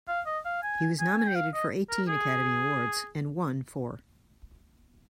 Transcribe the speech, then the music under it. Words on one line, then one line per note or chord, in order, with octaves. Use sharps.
He was nominated for eighteen Academy Awards and won four.
F5
D#5
F5
G#5
G#5
G#5
G5
F5
D#5
A#4
G#4